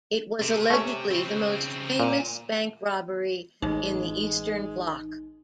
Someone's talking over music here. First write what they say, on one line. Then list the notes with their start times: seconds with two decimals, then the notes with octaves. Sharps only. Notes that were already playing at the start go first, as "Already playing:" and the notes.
It was allegedly the most famous bank robbery in the Eastern bloc.
0.41 C3
0.70 A3 C#4
1.11 C#3 C4
2.00 A#2 G#5 A#5
3.62 A1 G#3 D#4